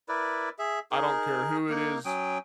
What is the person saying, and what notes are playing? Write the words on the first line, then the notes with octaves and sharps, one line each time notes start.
I don't care who it is,
E4 A#4 B4 D5
G#4 E5
D#4 G#4 A#4
A#3 D#4
F#3 C#4 G5 D#6